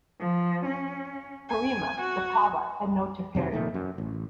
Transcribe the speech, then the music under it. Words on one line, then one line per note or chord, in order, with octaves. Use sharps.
Parima, the Pava, had no Tapere.
F3
C#4
G#5
F#4
F2 C3 D#3 F#3
F1 A#2 D#3 A3
F#2
A1